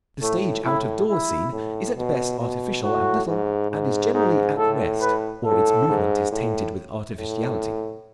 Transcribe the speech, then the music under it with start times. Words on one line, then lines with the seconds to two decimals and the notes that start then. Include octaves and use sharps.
The stage out-of-door scene is at best artificial and little and is generally at rest, or its movement is tainted with artificiality.
0.22 A2 A3
0.65 A2 E4
1.09 E4
1.52 A2
1.97 B2
2.40 B2
2.83 A2 F#4
3.27 G#2
3.71 G#2
4.14 G#2 D#4
4.58 A2 A4
5.01 B4
5.45 A2 A4
5.89 G#2
6.32 A2
7.19 A2